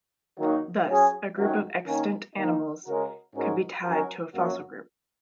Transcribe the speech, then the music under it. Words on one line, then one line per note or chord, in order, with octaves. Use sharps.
Thus, a group of extant animals could be tied to a fossil group.
D#3 F#3 A#3 D#4 F#4
F#3 C#4 G#4
F#2 D#3 F#3 D#4 A#4
D#3 A#3 C#4 A#4
D#3 A#3 D#4
C#3 G#3 F#4 A#4
G#2 G#3 C#4 F#4 A#4
F#3 C#4 F#4 A#4
F#2 F#3 A#3 F#4